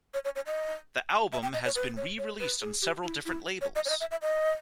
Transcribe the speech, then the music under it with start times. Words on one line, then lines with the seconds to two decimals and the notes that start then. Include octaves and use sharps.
The album has been re-released on several different labels.
0.14 C#5
0.25 C#5
0.36 C#5
0.46 D#5
1.33 E5
1.43 G5
1.54 D#5
1.65 C#5
1.75 B4
1.97 C#5
2.18 C#5
2.40 B4
2.61 G#4
2.82 G4
3.04 E4
3.25 E4
3.61 C#5
3.75 D#5
3.85 C#5
3.90 D#5
4.01 E5
4.11 E5
4.22 D#5